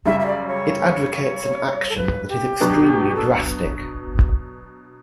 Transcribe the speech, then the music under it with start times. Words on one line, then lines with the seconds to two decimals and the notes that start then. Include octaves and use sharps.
It advocates an action that is extremely drastic.
0.06 F#2 C#3 G3 E5
0.20 E5
0.26 D5
0.47 C#5
1.89 A4
1.97 B4
2.29 G4
2.61 B2 F#3 B3 D4
3.15 A4